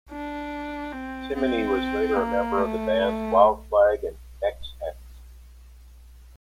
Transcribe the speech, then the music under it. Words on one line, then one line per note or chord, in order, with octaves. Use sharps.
Timony was later a member of the bands Wild Flag and Ex Hex.
D4
C4
C4
A#3
A3